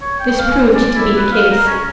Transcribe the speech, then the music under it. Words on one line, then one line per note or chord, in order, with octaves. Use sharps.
This proved to be the case.
C#5
G5
F5
G#5
D5
E4
B4
F5
A#4
C#4